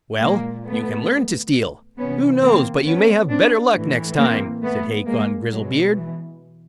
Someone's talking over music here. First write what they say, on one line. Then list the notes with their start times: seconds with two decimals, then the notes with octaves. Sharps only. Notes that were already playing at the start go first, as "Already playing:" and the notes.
'Well, you can learn to steal; who knows but you may have better luck next time', said Hacon Grizzlebeard.
0.21 A#2 G#3 A#3
0.66 A3 B3
1.97 C3 E3 B3 C#4
2.42 A#3 C4
2.86 B3 C#4
3.30 C4 D4
3.74 A2 E3
4.18 A#3 C4
4.62 A3 B3
5.06 G#3 A#3
5.51 B2 F#3 G#3
5.95 E3